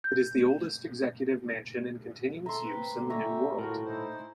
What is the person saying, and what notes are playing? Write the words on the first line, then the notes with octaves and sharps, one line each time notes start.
It is the oldest executive mansion in continuous use in the New World.
G6
A4 E5 A#5 C6
C4 B4
D3 G4
E5 G#5 A#5 C#6
A2 F4 F#4 A#4
D#4 E4 C5